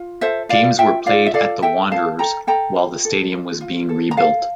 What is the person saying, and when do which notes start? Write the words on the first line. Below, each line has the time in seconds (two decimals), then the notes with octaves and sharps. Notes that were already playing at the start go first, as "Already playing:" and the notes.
Games were played at the Wanderers while the stadium was being rebuilt.
Already playing: F4
0.21 A4 C5 E5
0.49 F4 D5 F5
0.78 F4 E5 G5
1.06 F4 D5 F5
1.26 E5
1.34 A4 D5 F5
1.62 A4 E5 G5
1.92 A4 F5 A5
2.19 A4 G5 A#5
2.47 A4 G5 A#5
2.75 F4
3.05 A4
3.32 F4
3.61 F4
3.89 A4
4.11 A#5
4.17 A4 F5 A5